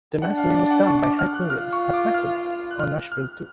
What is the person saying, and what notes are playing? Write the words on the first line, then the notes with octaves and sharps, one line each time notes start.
The mastering was done by Hank Williams at MasterMix, on Nashville too.
D4 F#5
F5
D5
F#5
C#6
D6
F6
F#6
F4 F6
C#6
D6
F6
F#6
F6
F6